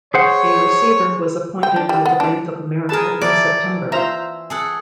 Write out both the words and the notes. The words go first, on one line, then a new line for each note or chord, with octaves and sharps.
A receiver was appointed by the Bank of America in September.
G#4 C5 C#5 F#5
G5
D4
G3
B3
D4
G#4 A#4 B4 A5
E3 A4 D5
F4 C5 E5 A#5
G#4 A4 F#5